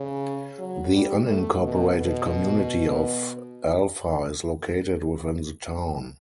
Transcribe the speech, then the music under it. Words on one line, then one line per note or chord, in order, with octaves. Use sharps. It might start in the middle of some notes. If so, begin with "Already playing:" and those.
The unincorporated community of Alpha is located within the town.
Already playing: C#3
F#3
G3
A3
B2
B2